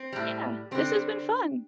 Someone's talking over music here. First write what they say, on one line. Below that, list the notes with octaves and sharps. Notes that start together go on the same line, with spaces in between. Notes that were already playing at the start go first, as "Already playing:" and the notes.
Yeah, this has been fun.
Already playing: C4
A2 G3
D3 G3 C4